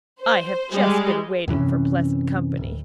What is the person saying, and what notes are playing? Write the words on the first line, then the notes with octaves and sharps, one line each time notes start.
I have just been waiting for pleasant company.
C5
G3 G#3
F#2 C3 E3 C#4
D1